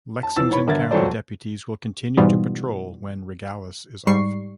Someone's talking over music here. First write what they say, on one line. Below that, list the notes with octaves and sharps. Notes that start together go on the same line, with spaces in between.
Lexington County deputies will continue to patrol when Regalis is off.
A5
E3 F3 E6 A6
G#2 E3 C#5 B5
G1 D3 A#4 E5 G#6 A6
E1 F2 F#3 A4 C5 D5
G#2 B2 E3 G3 B3 F4
G#2 G3 C#6 C7